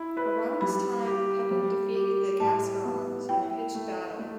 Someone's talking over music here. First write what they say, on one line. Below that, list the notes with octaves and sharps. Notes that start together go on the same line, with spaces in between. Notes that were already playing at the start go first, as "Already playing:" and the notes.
Around this time, Pepin defeated the Gascons in pitched battle.
Already playing: E4
B4 B5
G3 B5
G4
G3
G4
A2 A5
B3
E4 G5
A3
A3